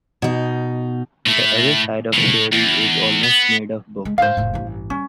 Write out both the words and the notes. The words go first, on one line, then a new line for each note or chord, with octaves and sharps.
The other side of Fairey is almost made of books.
B2 D#4
A2 A3
A2
E2
B3
G#3
G#2 C5 F5
F1 A2
A1 G2
G3 C#4